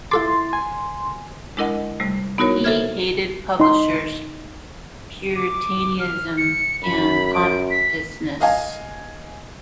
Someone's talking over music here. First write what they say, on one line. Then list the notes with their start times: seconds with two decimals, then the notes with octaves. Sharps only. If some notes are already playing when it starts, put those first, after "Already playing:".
He hated publishers, puritanism and pompousness.
0.11 E4 F4 A4 C6 D6 A6
0.53 G#5
1.57 G#3 D4 E4 A#4 D#5 F#5
2.00 C3 G3 A3
2.38 B3 D#4 E4 F#4 A#4 C#5
2.64 A4 C5 E5 F6 G#6
3.60 D#4 C6
5.36 D6
6.00 F6
6.38 C#7
6.83 F#2 B5
7.34 D7
7.71 B6
8.41 D#5 F5 G#5